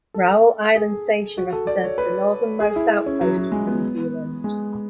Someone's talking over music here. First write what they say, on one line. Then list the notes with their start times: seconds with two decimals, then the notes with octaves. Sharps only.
Raoul Island Station represents the northernmost outpost of New Zealand.
0.14 A4
0.76 G#4
1.38 F#4
1.53 A4
1.67 D5
1.84 C#5
1.98 B4
2.60 G#4
2.76 E4
3.06 C#4
3.21 F#3
3.37 F#3
3.52 G#3
3.67 B3
4.44 G#3